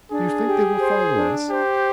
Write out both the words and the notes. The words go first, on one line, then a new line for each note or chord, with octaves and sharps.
"Do you think they will follow us?"
D4 G#4
G4
C5
D4
G4 C5